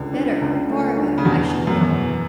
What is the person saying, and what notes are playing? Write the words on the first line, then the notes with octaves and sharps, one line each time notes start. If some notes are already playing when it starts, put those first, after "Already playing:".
Better--far better--I should go.
Already playing: C#2 D3
D4
C#2
A3
D4
C#3
E2 B2
B2
F#2
E2